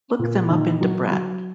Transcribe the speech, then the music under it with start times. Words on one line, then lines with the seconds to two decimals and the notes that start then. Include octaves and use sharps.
Look them up in Debrett.
0.19 A#2
0.50 D#3
0.81 F#3
1.11 F#3